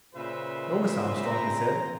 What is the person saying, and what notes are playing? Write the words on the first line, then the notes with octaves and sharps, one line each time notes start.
"No, Miss Armstrong," he said.
A#2 C#3 B4 C5 E5
C4 A#5